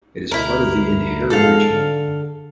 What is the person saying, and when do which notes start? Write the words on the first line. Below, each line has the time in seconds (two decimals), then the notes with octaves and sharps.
It is part of the Innherred region.
0.32 D2 E4 A#4
1.30 G#2 A4 F5
1.72 D3